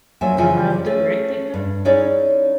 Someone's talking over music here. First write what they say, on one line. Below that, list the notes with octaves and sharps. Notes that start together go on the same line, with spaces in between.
God, uh, with the Grant thing though,
F3 F#3 A#3 D4 E5 G#5
F#2 C#3 E3 F3 G#5
A3 C#4 G#4
G2
C#4 D#4 E4 G#4 C#5 D5